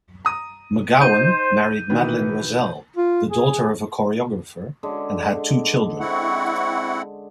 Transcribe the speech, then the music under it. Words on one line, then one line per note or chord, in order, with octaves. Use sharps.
McGowan married Madeline Rosselle, the daughter of a choreographer, and had two children.
A#5 D#6
D#4 C5 D#5 G6 D#7
B2 D#3 E3 B3
F4
G#4
D3 G#3 C#4
C4 E4 F#5 C#6